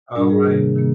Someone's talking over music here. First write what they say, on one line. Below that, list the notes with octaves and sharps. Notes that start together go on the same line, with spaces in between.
Oh, right.
G#2 G3 D4 A#4
G#4
C3 D#3 A#3
C3 D#3 A#3